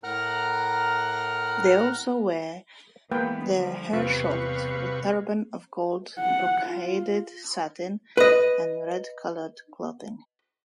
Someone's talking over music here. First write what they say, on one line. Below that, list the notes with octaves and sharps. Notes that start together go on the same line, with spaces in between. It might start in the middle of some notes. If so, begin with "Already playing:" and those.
They also "wear their hair short, with turban of gold-brocaded satin", and red-coloured clothing.
A2 A#4 F#5 A#5 F6 F#6
E3 G#3 A#3 B3 B4 G5
D3 F3 G3
E2 C3 G3 F4 B4 F5 C#6
F#5
F4
B4 D#5